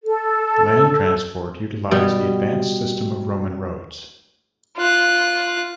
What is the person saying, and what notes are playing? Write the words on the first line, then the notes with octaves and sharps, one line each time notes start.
Land transport utilized the advanced system of Roman roads.
A4
B2 G3
F4 F#6